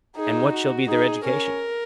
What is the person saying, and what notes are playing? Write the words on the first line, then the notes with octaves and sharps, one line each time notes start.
And what shall be their education?
D#4 G#4
F#4
D#4 G#4
C#4 A#4